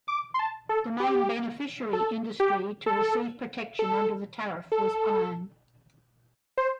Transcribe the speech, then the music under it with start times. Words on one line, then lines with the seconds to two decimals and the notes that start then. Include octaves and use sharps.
The main beneficiary industry to receive protection under the tariff was iron.
0.08 D6
0.34 C6
0.39 A5
0.69 A4
1.00 G4
1.93 A4
2.40 G4
2.86 A4
3.79 A4
4.72 A4
6.58 C5